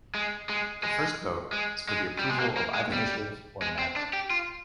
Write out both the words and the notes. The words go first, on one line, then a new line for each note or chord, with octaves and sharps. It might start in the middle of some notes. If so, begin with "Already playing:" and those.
The first vote is for the approval of either initiative or neither.
G#3
G#3
G#3
G#3
G#3
G3
G#3
A#3
A#3
G#3
G3
G#3
C4
D4
G4
F4